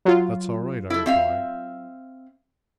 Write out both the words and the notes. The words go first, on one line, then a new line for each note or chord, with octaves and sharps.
"That's all right," I replied.
F#3 F4
E4 A4
C4 E5 F5